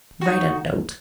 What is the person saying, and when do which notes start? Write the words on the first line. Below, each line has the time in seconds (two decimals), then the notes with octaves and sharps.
Write a note!
0.22 D#4 F#4